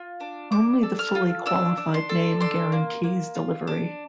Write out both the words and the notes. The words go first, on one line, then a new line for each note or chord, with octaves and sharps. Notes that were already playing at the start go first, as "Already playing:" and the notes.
Only the fully qualified name guarantees delivery.
Already playing: F4
D4
D4 D6
A4
F6
F4
D4 E6
D4
C6
A4
D4 C6
A#3
A#3
F4
D4